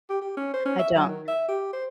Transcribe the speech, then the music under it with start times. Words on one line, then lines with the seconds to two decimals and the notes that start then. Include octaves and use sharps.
I don't.
0.10 G4
0.22 G4
0.37 C#4
0.54 C5
0.66 C#4
0.79 E5
0.95 F#3
1.08 D#3
1.28 E5
1.48 G4
1.73 C5